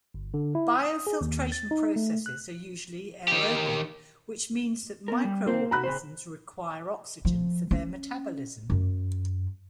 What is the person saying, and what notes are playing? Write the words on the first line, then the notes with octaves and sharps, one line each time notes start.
Biofiltration processes are usually aerobic, which means that microorganisms require oxygen for their metabolism.
G1
D3
E4
D#6
G#4
D#2
A6
D#4
A3
F#6
D#3 G4
B3 A#4
G3
A#3 C4 C5
F#4 A#5 B5 F#6
C#3 C5
F3
C#4
F#2